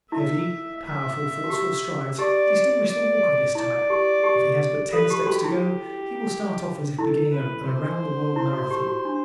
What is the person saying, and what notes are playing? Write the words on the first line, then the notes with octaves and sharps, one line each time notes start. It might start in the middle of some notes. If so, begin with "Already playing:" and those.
Heavy, powerful, forceful strides distinguish the walk of this type. If he has but ten steps to go he will start off as if beginning an around-the-world marathon.
E4 E5
E5
F#4
G4
G4 D5
D5
E4 D5
G4
G4
A4 B4
G4
F#4 G4
E4
E4 A4
B4
C5
E4
F#4
G4
F#4
D4